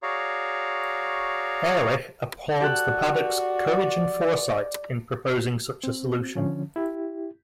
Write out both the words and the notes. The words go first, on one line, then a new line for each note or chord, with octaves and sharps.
Ehrlich applauds the Paddocks' "courage and foresight" in proposing such a solution.
F#4 G#4 C#5 D5 F5 A#5
F#4 G4 A4 D5 F#6
C4
D3 F3 C#4
E4 G4